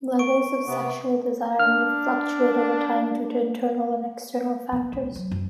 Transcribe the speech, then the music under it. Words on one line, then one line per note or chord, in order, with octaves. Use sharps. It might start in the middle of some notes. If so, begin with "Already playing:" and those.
Levels of sexual desire may fluctuate over time due to internal and external factors.
C#6 D7
C3 B3
D4 F6
A#2 B3
D2
F#3
F#2